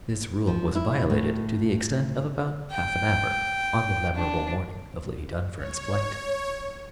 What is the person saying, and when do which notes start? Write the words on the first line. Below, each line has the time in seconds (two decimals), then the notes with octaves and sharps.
This rule was violated to the extent of about half an hour on the memorable morning of Lady Dunfern's flight.
0.47 F3
0.75 E4
1.10 A2
2.71 G5
4.16 D4
5.56 C#5